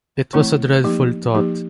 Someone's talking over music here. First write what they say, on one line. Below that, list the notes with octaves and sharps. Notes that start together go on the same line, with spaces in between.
It was a dreadful thought.
E3 A3 C4 E4
F3 A#3 D#4 G4
F3 A#3 D#4 G4